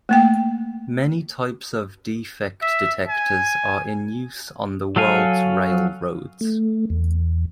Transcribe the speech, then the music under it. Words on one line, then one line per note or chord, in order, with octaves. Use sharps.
Many types of defect detectors are in use on the world's railroads.
A3 A#3 G5
E5
G#5
F#3 A4 F5 G#5
A3
E2